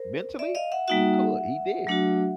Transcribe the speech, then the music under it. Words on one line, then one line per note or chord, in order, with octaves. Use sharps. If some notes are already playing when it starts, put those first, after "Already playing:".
mentally, he could, he did
Already playing: A#4 C5
D5 E5
D#5 F5
E5 F#5
G3 A#3 D#4 F#4 E5 F#5
F#3 A3 D4 F#4